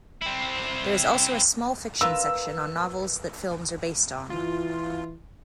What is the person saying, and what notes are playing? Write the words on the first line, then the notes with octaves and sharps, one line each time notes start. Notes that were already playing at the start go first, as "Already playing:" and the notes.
There is also a small fiction section on novels that films are based on.
C4 E4
F4 A#4 B4 E6
E3 F4